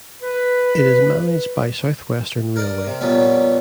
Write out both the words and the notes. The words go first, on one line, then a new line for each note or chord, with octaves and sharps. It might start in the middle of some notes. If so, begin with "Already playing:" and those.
It is managed by South Western Railway.
B4
A#4 D5
C3
F2 A#2 F#3 G3 B3